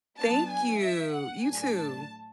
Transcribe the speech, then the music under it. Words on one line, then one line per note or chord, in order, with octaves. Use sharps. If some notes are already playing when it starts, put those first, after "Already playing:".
Thank you! You too.
F#3 B3 D4 A5
G#5
E5
F#5
A2 F#3 A3 D4 G#5
A5